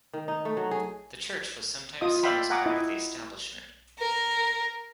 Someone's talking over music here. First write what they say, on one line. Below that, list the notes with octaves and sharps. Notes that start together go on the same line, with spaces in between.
The church was sometimes seen as part of the establishment.
D#3
D#4
A3
F#3
G#4
F4 D#5 D#6
D5 E5 F5 G5 B5 C6
F5 F#5 G#5 A#5 D6 D#6
E4 D#5
A#4